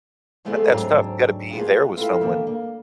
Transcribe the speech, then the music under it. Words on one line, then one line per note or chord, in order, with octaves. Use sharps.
But that's tough, you gotta be there with someone.
D3 G#3 A3 B3 C4 G#4
D2 G#2 F#3 C4 D4 A#5
A#3 B3 F4 G#4
C4 E4 F4 A4 B4
D#3 A#3 D4
A#3